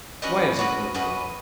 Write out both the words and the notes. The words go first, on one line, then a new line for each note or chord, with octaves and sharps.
Why has he pulled you up?
C#4 F#4 B4 D#5
C#4 F#4 B4 D#5
C#4 F#4 B4 D#5